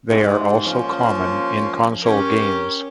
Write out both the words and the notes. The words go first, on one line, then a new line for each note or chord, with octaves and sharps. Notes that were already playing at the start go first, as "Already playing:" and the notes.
They are also common in console games.
G#2 C3 G#3
F3 A#3 C#4
C#4 G4 A#4